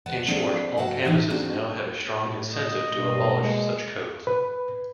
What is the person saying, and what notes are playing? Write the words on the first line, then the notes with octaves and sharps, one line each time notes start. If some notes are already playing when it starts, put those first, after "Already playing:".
In short, all campuses now have a strong incentive to abolish such codes.
D2 B4 F#5 A5
F3 A#3 C4 D4 G#4 A4
G2 F#4 A4 F5 F#5
A2 E3 B3 C#4 D#4 E4
A#3 C4 D4 D#4 F#4 G#4
A2
D#5
G2 B2 A#3
G#3
B4